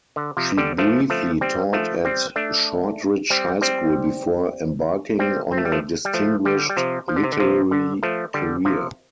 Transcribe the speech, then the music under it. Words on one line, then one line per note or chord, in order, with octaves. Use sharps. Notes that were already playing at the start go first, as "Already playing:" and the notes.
She briefly taught at Shortridge High School before embarking on a distinguished literary career.
D3
C3 F3
D3 G3
F3 A3
F3 A3
G3 C4
F3 A3
G3 C4
A3 D4
G3 C4
G3 C4
G3 C4
C4
A3
G3
F3 A3
G3
F3 A3
D3 G3
G3
C3 F3
F3
D3
C3
D3
C3 F3
D3
F3 A3
D3 G3
C3 F3